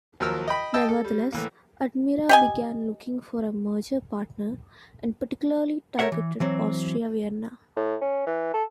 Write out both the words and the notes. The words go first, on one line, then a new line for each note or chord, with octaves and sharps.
Nevertheless, Admira began looking for a merger partner, and particularly targeted Austria Vienna.
D#2 F3 F#3 A#4 E6 F6
D#5 G5 B5
D#5 G5 A5 E6
A4
G3
A2 E3 A#3
G4 D#5 G#5
A#4 B4 C#5 E5 F#5
E3
E3 F#3 C4
A2
C#4
E3
A4